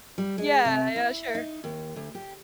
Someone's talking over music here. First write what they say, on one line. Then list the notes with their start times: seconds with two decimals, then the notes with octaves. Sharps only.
Yeah, yeah, sure.
0.18 G3
0.38 G#3
0.65 C3
0.96 E4
1.35 D#4
1.64 D#2
1.96 D2
2.15 G4